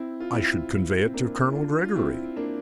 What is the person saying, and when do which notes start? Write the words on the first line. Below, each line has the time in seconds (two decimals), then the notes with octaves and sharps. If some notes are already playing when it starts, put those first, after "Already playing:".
"I should convey it to Colonel Gregory."
Already playing: C4 E4
0.20 F4
0.32 C4 E4
1.06 C4
1.14 A#3 D4
1.48 E4
1.55 D4 F4
1.84 F4
1.96 C4 E4
2.36 A#3 D4